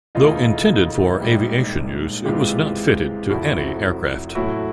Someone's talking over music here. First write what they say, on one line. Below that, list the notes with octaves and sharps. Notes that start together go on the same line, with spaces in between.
Though intended for aviation use, it was not fitted to any aircraft.
E1 D2 C#3 E3 A3 D#4 F4
A#1 G#2 D#3 G3 A#3
C#2 C3 E3 G#3 F4 G4
F1 F2 C3 F3 E4 F#4
A1 A2 F#3 A3 E4 F#4